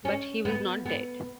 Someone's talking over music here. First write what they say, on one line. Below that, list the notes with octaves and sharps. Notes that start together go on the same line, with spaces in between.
But he was not dead.
C#4
B3
B3